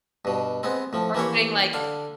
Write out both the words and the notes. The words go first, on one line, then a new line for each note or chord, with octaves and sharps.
or putting, like,
G2 B2
G#3 B3 C4
A2 F3
E3 A#3 E4 G4 C#5
D3 F5